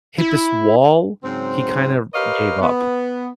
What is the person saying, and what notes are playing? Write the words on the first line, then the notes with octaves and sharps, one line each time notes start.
hit this wall, he kind of gave up,
E4
G#2 C#3 F#3 C4
G4 A#4 B4 C#5 D#5 F5
B3